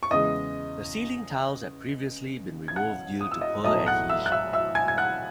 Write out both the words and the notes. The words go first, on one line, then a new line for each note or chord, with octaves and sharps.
The ceiling tiles had previously been removed due to poor adhesion.
C#6
E2 C#3 G#3 D#5 D#6
G#6
F#5 F#6
D#6
E6
D#5 D#6
B1 A2 F#3 A3 D#5 D#6
F#5 F#6
E5 E6
F#6
E5 E6
E5 E6
G#5 G#6
G#6
F#5 F#6